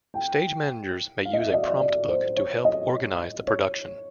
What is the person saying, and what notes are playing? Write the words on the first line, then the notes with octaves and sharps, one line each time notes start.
Stage managers may use a prompt book to help organize the production.
G5
F5
D#5
E5
D5
D#5
D5
D5
C5
C#5
D#5
C#5